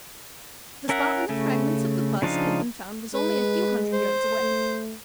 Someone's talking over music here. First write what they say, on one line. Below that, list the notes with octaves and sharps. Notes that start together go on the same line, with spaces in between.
The spot where the fragments of the bust had been found was only a few hundred yards away.
C#4 A#4 E5 F#5
C#3 A3
C#3 F3 D4 D#4 F5
G#3 B4
C5
A3